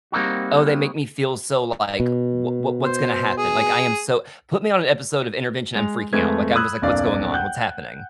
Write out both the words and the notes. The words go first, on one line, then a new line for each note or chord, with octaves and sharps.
oh, they make me feel so, like, "What what what's gonna happen?" Like, I am so put me on an episode of Intervention, I'm freaking out. Like, I'm just like, "What's going on? What's happening?"
G3 A#3 C4 D#4 F#4
B2
C5
G#4
G#3 F7
F2 G#3 A3 B4 G#6
B5 D#6 E6 F#6 G#6
D#1 B1 F#2 D5 F5
F#5 G5 F#6 G6